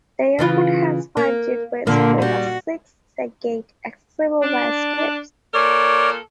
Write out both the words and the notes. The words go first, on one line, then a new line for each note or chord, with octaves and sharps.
The airport has five jetways with a sixth gate accessible via stairs.
C#3 E3 F4
A#3
A#2 D3 A#3
G3 F#4
D4
A#2 A4 A#4 C#5 D5